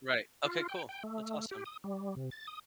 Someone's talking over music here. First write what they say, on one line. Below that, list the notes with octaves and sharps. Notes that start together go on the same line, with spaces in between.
Right. Okay. Cool. That's awesome.
F4
G5
G5
A3
G4
D#6
G3
C3
A6
D#6